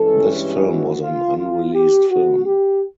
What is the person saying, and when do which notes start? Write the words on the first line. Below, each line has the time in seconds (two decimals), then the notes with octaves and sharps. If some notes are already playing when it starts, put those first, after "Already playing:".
This film was an unreleased film.
Already playing: G2 E3 G#3 C#4 A4
0.29 G4
0.65 F#4
1.01 F4
1.37 F4
1.74 G4
2.09 F#4
2.45 G4